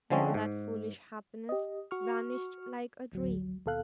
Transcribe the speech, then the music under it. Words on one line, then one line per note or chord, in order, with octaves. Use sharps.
All that foolish happiness vanished like a dream.
D3 F3 G#3 C4 C#4
G#2
G4 D#5
F#4 C#6 F6
A1 D2 F#3
D#2 B2 A4 F5 F#6